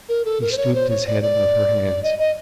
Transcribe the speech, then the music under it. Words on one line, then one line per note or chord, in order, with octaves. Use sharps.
He stooped his head above her hands.
A#4
A4
A#4
C5
C#5
C5
C#5
D5
D5
D#5
D#5